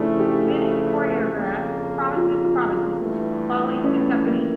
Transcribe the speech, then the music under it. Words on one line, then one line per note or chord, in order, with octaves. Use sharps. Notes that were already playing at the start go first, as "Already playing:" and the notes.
Bennett choreographed "Promises, Promises", "Follies" and "Company".
Already playing: C#3 F3 A3 D4 E4
G4
G4
F2 C#3 F3 A#3
F4
F4
F4
G2 E3 A3
C#4
A#3